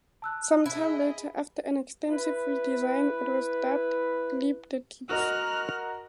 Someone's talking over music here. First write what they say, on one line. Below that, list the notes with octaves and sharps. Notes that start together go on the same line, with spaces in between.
Some time later, after an extensive re-design, it was dubbed, "Leap The Dips".
A5 E6 F#6
E4 G#4 D#5
E4 B4
F#4 A#4 D#5 F6 F#6